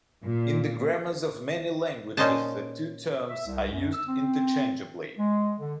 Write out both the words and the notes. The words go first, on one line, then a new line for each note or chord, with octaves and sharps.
In the grammars of many languages the two terms are used interchangeably.
A#2
A#2 C#4 D#4 C5 D#5 A5
E5
C2
F#2
E6
C4
G#3
D3